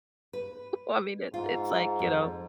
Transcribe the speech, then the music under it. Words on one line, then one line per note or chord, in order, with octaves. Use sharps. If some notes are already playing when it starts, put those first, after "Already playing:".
I mean, it it's like, you know
B4
G#2 F4
F2